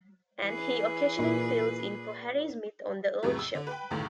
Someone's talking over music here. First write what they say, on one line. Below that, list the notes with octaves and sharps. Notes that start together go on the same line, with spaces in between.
And he occasionally fills in for Harry Smith on The Early Show.
E3 G#4 B4
A#2
F2 A2 C#3 F#3 G3 E4
E6
D3
B4 G5
C#2 F#2 A2 D3 D#3